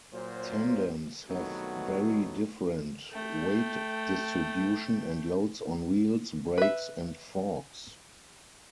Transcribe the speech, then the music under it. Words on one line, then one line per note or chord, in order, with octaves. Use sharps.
Tandems have very different weight distribution and loads on wheels, brakes, and forks.
A#2 F#3 C5
C2 B2 D#3 F#3 A3 B3
A3 G5
B4 E5